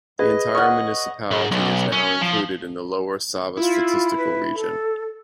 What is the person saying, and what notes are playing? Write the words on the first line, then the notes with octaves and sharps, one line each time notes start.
The entire municipality is now included in the Lower Sava Statistical Region.
G#4 B4 D#5
C#5 F#5 D#6 F6
G#2
B1
C#4
F3
E4 F4
B4
A4